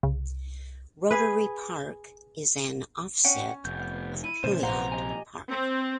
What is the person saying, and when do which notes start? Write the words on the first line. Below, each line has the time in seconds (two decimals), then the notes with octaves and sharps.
Rotary Park is an offset of Pilliod Park.
0.03 C2 C#3
1.11 G#4 B4
3.25 C#4 F#5 G5
3.65 F1 B3 G6
4.24 E4 D#7
4.44 A#2 C#3 F3 C5
4.63 A#1 C3 B4 C5 F5 F#5 A#5
4.92 G4 D#5 G#5
5.49 C4